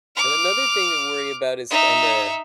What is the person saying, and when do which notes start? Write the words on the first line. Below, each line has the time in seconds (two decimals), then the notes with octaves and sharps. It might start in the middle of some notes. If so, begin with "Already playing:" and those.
And another thing to worry about is, kinda,
0.16 D6 F6
1.70 D#4 E5